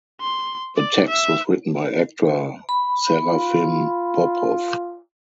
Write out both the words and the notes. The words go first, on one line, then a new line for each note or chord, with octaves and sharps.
The text was written by actor Serafim Popov.
C6
D5
E5
B5
F4